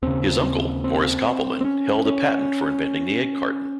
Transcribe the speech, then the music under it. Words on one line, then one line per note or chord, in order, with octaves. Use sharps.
His uncle, Morris Koppelman, held a patent for inventing the Egg carton.
D#2 C#3 C4
C4
C4
C4
C#4
C#4